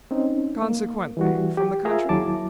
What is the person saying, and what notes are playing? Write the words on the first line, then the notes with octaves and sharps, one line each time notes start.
'Consequently, from the country?'
C4 C#4 D#4
A#3
E3 G3 F#4
G4
F4 G#4 A#4 E5 A#5
D#2 F#3 E4 A5 D6